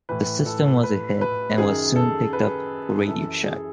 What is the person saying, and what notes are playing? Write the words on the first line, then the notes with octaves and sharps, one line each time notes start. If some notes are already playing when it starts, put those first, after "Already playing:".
The system was a hit, and was soon picked up for Radio Shack.
A2 E3 B4
A4
B4
B4
F#2 D#3 G#4
A4
B4
F#2 E3 A4
G#4